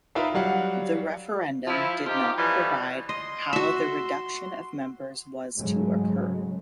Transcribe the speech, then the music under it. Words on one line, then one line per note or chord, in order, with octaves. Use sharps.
The referendum did not provide how the reduction of members was to occur.
D#4 F4 A#4 B4 E5 F5
F#3 G3 F5 F#5
F3 E4
F3 D#4 F4 G4
E3 F3 G3 A3 B3
D#5 C6
F#4 E5
G#2 C#3 F#3 G#3 A3